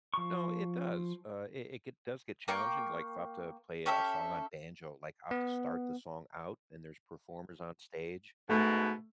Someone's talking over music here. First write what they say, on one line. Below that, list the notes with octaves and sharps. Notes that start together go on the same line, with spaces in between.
No, it does, uh, it it get does get challenging, like, if I have to play a song on banjo, like, I have to start the song out and there's performers on stage,
F3 C#6
A#3 G5 C#6
C#4 G4 A4 E5
B3
G#2 B2 A3